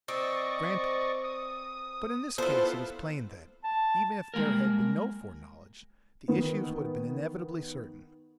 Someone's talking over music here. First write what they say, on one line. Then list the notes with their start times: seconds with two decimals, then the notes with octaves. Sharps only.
Granted; but in this case it is plain that, even if there had been no foreknowledge, the issues would have been inevitably certain.
0.08 C4 D5 D#5 C#6
1.24 D#6
2.38 B3 E4 F4 A4 C5
3.64 A5
4.34 G3 G#3 A#3 A#4
6.28 D#3 B3